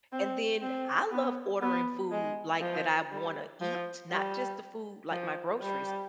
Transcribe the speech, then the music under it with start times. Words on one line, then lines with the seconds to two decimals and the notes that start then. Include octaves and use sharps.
and then I love ordering food like, that I wanna eat, not just the food, like my groceries.
0.13 C4
0.62 C4
1.11 B3
1.61 B3
2.12 G#3
2.61 F3
3.11 G3
3.61 F3
4.12 G3
5.11 F3
5.61 G3